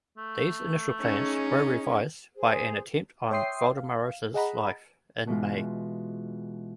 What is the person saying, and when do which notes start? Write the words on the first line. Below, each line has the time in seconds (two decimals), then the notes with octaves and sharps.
These initial plans were revised by an attempt on Voldemaras's life in May.
0.18 A3
1.01 C#4 D#4 G#4
2.35 G#4 C5
3.31 C#5 E5 G5 C6 D#6 C7
3.77 F5
4.34 G#4 D#5 F#5 A#5 B5
5.27 B2 E3 G#3 F4